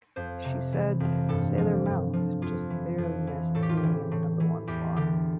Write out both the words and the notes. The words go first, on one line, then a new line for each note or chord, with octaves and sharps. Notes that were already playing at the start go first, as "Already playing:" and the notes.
She said 'Sailor Mouth' just barely missed being in the number one slot.
F2 C5
C3
E3
F2
G2 A4
F3
G2
F3
F2 F4
E3
F2
E3
A2 A4
G4
F4
G4
E3
A2
E3
E2 G4
D3 G4